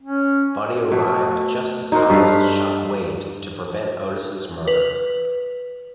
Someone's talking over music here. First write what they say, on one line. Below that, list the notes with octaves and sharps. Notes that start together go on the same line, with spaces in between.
Buddy arrived just as Hollis shot Wade to prevent Otis's murder.
C#4
B2 A3
D#4 F#4 A#4 C5
G2 A4 B4 F5
B4